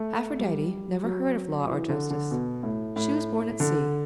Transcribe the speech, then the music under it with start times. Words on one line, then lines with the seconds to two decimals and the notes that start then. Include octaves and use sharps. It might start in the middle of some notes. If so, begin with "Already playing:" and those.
Aphrodite never heard of Law or Justice: she was born at sea.
Already playing: A3
0.39 G3
1.04 F#3
1.68 E3
1.89 D3
2.10 D3
2.31 B2
2.63 A2
2.96 A2
3.60 D3